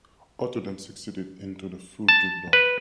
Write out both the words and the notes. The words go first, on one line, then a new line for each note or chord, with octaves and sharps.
Otto then succeeded into the full dukedom.
A5
B4